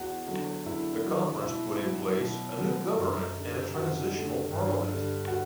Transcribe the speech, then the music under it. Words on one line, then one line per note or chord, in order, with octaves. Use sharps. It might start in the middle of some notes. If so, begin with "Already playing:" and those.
The conference put in place a new government and a transitional parliament.
Already playing: E2 F#4
D3 F#3
E2 E4
D3 F#3
B2 E4
F#3
B2
F#3
F#2
D3 G3
F#2 F#4
D3 G3
G2
D3 G3
F#4